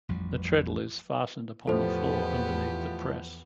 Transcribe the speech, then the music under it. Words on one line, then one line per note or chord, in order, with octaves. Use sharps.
The treadle is fastened upon the floor underneath the press.
A1 F2 F3 G3
E2 A2 F3 B3 G4 A4 C5